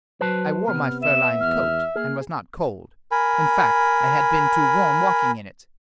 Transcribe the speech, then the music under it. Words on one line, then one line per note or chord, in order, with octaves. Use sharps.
I wore my fur-lined coat, and was not cold--in fact, I had been too warm walking in it.
F#3 B4 C5 A5
C3 B3 F6
E5 E7
E2 F6
A#3 G#4 F6
A#4 G#5 B5